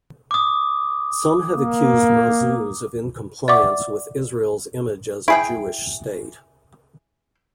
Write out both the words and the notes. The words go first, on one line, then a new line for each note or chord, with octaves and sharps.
Some have accused Mazuz of incompliance with Israel's image as a Jewish state.
D6 D#6
A#3
D5 E5 F#5 C#6 D6
E4 G#4 G5